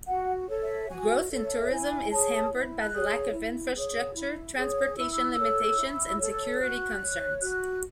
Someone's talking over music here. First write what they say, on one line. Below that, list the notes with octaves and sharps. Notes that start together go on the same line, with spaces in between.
Growth in tourism is hampered by lack of infrastructure, transportation limitations and security concerns.
F#4 F#5
A4 C#5
E5
F#4 G#5
A4 C#5
E5
E4 G#5
G#4 C#5 A5
E4
F#6
G#4 C#5
E4
G#4 C#5
E4
G#4 C#5
E4 E6
A4 C#5
E4
A4 C#5
F#4 F#6
C#5
F#4 F#6